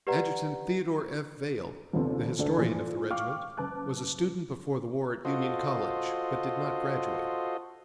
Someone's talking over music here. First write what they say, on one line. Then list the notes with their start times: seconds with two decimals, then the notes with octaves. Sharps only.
Adjutant Theodore F. Vaill, the historian of the regiment, was a student before the war at Union College, but did not graduate.
0.07 G4 B4 D5 F#5 A#5
1.93 A#1 D#2 C3 B3 C4 A4
2.39 D2 D4 A4
2.57 A#2 E3 F3 A3 F4
3.11 F5 G5 C#6 D6 F6
3.57 F#1 B4 A5 D6 F#6
5.25 F4 F#4 A4 C5 D#5